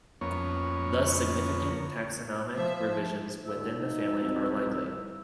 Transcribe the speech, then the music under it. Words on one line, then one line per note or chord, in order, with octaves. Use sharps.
Thus, significant taxonomic revisions within the family are likely.
F2 A#3 B3 C#4 C#5
F3 C5 E5
D#2 D3 E5
B2 F3 D#4
C2